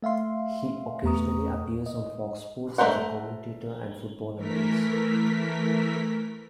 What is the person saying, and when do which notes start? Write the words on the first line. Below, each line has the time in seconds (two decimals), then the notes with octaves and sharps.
He occasionally appears on Fox Sports as a commentator and football analyst.
0.03 A3 E5 F5 C6
1.04 E2 A3 B3 A#5 C#6 D#6
1.86 D#5
2.78 A3 F#4 A#4 C5 F#5
4.36 E3 A3 A#4 B6